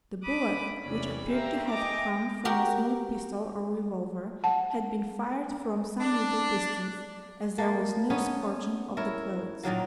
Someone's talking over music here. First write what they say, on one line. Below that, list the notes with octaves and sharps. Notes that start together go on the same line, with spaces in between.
The bullet, which appeared to have come from a small pistol or revolver, had been fired from some little distance, as there was no scorching of the clothes.
B5 D6 D#6 F#6
E2 C3 E3 C#4 D5 B5
C4 G4 A#4 E5 F5 A#5
D#5 E5 G5 G#5 A#5 D6
F#4 G4 A#4
F#5 A5
D4
A3 A#3
B3 C#4 D#4 C#5
E4 A#4 C#5
A#2 D#3 F#3 A#3